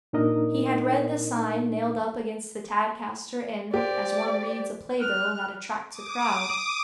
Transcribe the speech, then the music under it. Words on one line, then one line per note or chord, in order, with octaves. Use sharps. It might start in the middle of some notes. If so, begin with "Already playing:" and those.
He had read the sign nailed up against the Tadcaster Inn as one reads a play-bill that attracts a crowd.
A#2 D4 D#4 A#4 D#5
G4 C5 D5
F6 F#6
D6 D#6